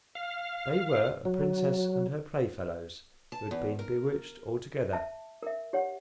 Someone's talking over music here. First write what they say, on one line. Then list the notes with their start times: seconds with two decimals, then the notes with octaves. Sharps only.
They were a princess and her playfellows, who had been bewitched all together.
0.15 F5
1.25 F#3
3.32 A5
3.51 E2
3.79 A#4
4.93 E5 A5
5.43 A#4 E5
5.73 G4 C#5 F#5